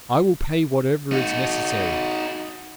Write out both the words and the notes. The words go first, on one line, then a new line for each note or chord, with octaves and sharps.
I will pay whatever is necessary.
D#4 F#4